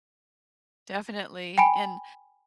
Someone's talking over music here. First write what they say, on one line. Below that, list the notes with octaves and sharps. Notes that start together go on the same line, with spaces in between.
Definitely, and
G5 G#5 B5 D7